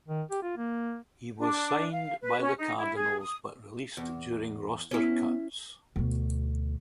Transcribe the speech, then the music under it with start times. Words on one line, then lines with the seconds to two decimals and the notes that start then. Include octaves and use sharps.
He was signed by the Cardinals but released during roster cuts.
0.08 D#3
0.31 G4
0.43 F4
0.57 A#3
1.39 D4
1.91 F5
2.22 B4
2.40 C#4
2.58 D#4
2.77 E4
2.95 G#4
3.20 D#6
3.97 E2
4.91 B3 C#4 E4
5.96 D2 B2